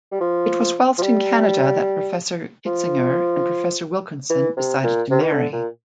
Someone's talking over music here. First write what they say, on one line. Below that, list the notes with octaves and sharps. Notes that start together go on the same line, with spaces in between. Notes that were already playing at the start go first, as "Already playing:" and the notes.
It was whilst in Canada that Professor Kitzinger and Professor Wilkinson decided to marry.
G3
F3
F3
G3
F3
E3
C3
A#2
C3
E3
D3
A#2